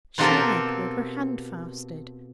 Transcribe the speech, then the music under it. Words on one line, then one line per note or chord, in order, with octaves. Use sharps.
She and Edward were handfasted.
B2 C4 F4 G4 A4 A#4